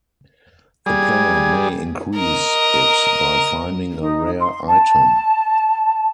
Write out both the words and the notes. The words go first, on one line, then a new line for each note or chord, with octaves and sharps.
The player may increase it by finding a rare item.
G3 G#4 G#6
A#4 D#5
D#4
C6
A5